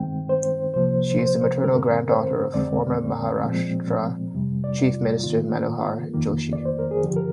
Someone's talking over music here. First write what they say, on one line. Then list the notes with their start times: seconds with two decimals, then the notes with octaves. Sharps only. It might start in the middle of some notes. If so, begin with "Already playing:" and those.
She is the maternal granddaughter of former Maharashtra Chief Minister Manohar Joshi.
Already playing: G2 D#3 G#3 C4 G5
0.29 C5
0.74 C2 C3 F3 A#3 C5
1.19 C5
1.64 G2 D3 G#3 C4 A#4
2.09 C5
2.54 F2 D3 G#3 C4 D5
3.44 A#2 F3 G#3 C4
4.34 F2 C3 G3
4.64 D5
4.93 F4
5.23 G#2 D#3 A#3 F4
6.14 F2 D#3 A#3
6.53 D5
6.65 C5
6.79 A#4
6.91 G#4
7.03 G2 D3 F3 G4
7.16 A#4